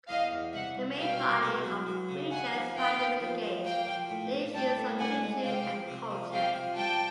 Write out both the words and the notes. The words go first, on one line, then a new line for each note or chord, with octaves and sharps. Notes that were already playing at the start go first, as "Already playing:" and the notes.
The main body of Weigel's writings engage the issues of religion and culture.
E2 D#5 F5
E2
C2 E5 F#5
C2
B2 F5 G5
C2
B3
F#3
F#3
C#3
D#2 F#5 G#5
F3
D#2 F5 G5
D#2
F3
F3
A#3 F5 G5
F3
A2
A2
G3 G5 A5
A2
C3 F#5 G#5
G#3
C3 F5 G5
F3
C3
F3
C3 F5 G5
F3
G3 G5 A5